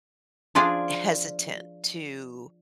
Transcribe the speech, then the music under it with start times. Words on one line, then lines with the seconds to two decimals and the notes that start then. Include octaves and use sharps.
eh hesitant to,
0.55 F3 D4 F4 G#4 D5